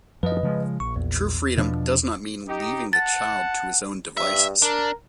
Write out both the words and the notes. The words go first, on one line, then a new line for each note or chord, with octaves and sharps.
True freedom does not mean leaving the child to his own devices.
F#2 F3 B4 D#5
C#3 F3 G#3
A#1 C#6
E2
B2 F3 D4
D#4 G4
F#5 A5 A6
G2 E5
D4 A#4